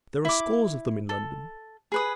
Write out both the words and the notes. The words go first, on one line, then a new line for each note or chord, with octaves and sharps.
There are scores of them in London.
E4 D6
A4
G#4 B4 D#6